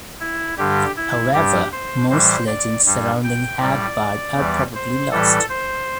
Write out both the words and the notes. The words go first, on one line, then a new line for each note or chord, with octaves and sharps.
However, most legends surrounding Hagbard are probably lost.
E4
G2 D3 G3 G4
E4
G2 G3 G4
C5
A2 E3 G3 C5
D5
G2 G3
G5
A2 G3 D5
E2 E3 G3
C5
A2 E3 G3 A4
C5